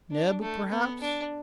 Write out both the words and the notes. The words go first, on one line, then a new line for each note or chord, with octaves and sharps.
"Neb, perhaps?"
D4
A3
B3
D4